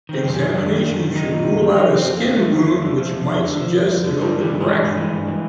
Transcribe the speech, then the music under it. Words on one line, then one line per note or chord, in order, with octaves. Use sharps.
Examination should rule out a skin wound which might suggest an open fracture.
D#3 C4
F#2 C4
D#3 C#4
F#2 D4
D#3
F#2
D#3
F#2 D#4
D#3
F#2
D#3
F3 D#4
F2 C4
F2
A#3
D3
F3 A3
F2
F2
D3
F3
F2
F2
D3
F3
F2
F2
D3
G2 G3
E3 G3
G2
G#3
E3
G2
E3
G2
E3